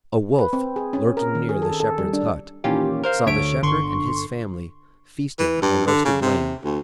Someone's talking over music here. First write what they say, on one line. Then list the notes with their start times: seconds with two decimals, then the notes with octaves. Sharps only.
A Wolf, lurking near the Shepherd's hut, saw the Shepherd and his family feasting on a roasted lamb.
0.39 B4
0.53 C4
0.76 G#4
0.93 C#4
1.17 A#4
1.35 D#3
1.49 G#4
1.62 A4
1.80 A4
1.98 G3
2.13 D4
2.64 A#2 D#3 E3 C#4 F4 G4
3.03 A#4 C5 F5
3.26 D2 D3 A3 C#5 E5 D7
3.62 G1 D3 C6 C#6
5.39 E3
5.62 G2
5.87 D3
6.05 C#3
6.22 C3
6.64 D2